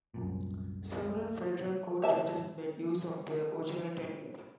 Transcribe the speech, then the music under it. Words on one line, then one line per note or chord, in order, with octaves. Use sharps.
Several Federal Court judges made use of their original tenure.
C2 F#2 A#2
C#5 E5 A5